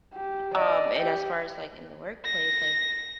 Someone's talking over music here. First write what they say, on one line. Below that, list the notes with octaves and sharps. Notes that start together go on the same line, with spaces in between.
um, and as far as, like, in the workplace, like,
G4
D5 D#5
G4
A#6